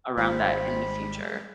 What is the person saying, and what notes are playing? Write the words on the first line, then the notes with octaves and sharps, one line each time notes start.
around that in the future.
G#1 G3 G#3 C4 B5